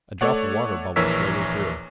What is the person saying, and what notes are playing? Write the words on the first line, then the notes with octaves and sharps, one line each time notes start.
A drop of water bubbled slowly through.
A3 A4 C#5 D5 F#5
A#1 E3 A#4 C#5 E6 B6